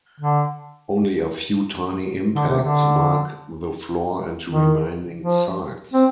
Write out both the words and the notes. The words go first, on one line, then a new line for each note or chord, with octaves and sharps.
Only a few tiny impacts mark the floor and remaining sides.
D3
D3
C3
D3
D#3
F3
C4